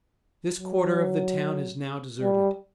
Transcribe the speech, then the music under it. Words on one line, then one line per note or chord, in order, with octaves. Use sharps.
This quarter of the town is now deserted.
F#3
G3